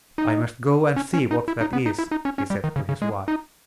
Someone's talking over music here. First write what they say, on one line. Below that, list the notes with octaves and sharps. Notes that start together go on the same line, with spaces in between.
'I must go and see what that is,' he said to his wife.
D#4
C#4
C#4
D#4
E4
D#4
B3
D#4
E4
D#4
C#4
C#4
G3
D#3
C#3
C#3
G#3
D#4